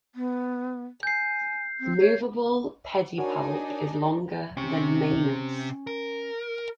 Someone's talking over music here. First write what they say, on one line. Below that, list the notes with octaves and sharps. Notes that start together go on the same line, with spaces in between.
Movable pedipalp is longer than manus.
B3
G#5 G6 C7
C4
C#5
D4 D#4 F#4 A#4 C#5 G#5
C3 C#4 G4 C#6
A#4